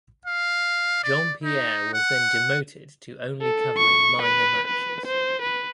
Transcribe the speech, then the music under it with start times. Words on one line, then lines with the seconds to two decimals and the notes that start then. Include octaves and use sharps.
Jeanpierre was then demoted to only covering minor matches.
0.26 F5
1.03 D5
1.44 D#4
1.93 F#5
3.41 A4
3.77 C#6
4.22 B4
4.67 B4
5.06 C5
5.42 B4